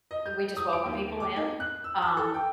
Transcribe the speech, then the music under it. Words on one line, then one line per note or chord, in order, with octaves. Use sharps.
we just welcome people in. Um,
D#5
G6
D#6
D7
D#2
D6
D#4
F#6
E6
A5
A4
G5